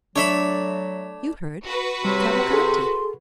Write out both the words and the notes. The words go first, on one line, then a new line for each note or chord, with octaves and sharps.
"You heard--Cavalcanti."
F#3 A3 D4 C#5 E5 B5
F#4 B4
C3 G3 C#5
G#4 A4 C6